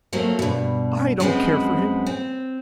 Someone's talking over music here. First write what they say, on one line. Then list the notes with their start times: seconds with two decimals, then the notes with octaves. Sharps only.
I don't care for him!
0.13 F3 F#3 A3 A#3 C4
0.39 G2 B2
1.20 F#2 F3 G#3 B3 C4 B4
2.06 C4